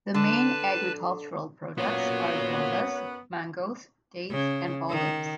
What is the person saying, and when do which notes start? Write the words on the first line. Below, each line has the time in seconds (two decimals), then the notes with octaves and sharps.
The main agricultural products are guavas, mangos, dates, and olives.
0.14 D3 B4 A5
1.78 F#2 F#3 A#3 B3 F4 C#5
4.31 C#3
4.90 D#3